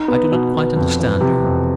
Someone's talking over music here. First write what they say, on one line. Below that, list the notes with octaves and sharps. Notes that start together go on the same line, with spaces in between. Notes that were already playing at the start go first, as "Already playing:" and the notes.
"I do not quite understand you."
Already playing: D#4
B3
B2
B3
F2
E3
C3
F2